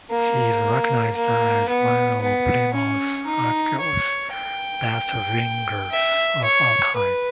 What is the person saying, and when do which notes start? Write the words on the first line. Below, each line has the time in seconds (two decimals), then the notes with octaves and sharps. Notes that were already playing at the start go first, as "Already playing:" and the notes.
He is recognised as one of Plymouth Argyle's best wingers of all time.
0.11 A#3
1.15 A#3
1.69 B3
2.22 B3
2.74 C#4
3.26 D#4
3.80 C#5
4.32 G5
5.91 E5
6.44 C#5
6.96 B4